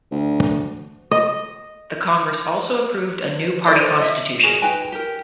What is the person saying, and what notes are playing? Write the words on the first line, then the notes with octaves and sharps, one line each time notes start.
The congress also approved a new party constitution.
D2
D#5
A4 A#4 C5 D5
D#5 E5
F#4 G#4 A#4
D#4 B4 G5 G#5
G4 A#4